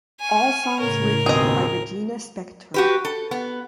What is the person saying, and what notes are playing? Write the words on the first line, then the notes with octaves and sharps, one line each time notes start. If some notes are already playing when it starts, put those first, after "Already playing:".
All songs written by Regina Spektor.
G#5 C#6 F6
A2 C#3 A#4 C#5
D#2 B2 C4 G#4 D#5
F#4 G4 B4
A4
B3